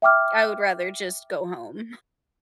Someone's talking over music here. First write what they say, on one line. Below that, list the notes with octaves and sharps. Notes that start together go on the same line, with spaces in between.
I would rather just go home.
E5 G5 D6 F6